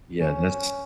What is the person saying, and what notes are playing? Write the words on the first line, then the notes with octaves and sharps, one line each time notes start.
Yeah, that's
C#4